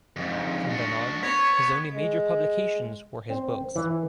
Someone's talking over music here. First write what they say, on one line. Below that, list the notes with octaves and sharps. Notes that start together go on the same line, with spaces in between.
From then on, his only major publications were his books.
F2 G#2
D4 F#4
B3 C#5
G#3
C4
E3